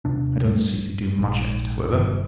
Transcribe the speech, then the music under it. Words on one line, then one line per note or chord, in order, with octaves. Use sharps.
I don't see you do much at it, however.
D#2 C3 D4
G2
A#1 G#2
G1 G2 D#3 E3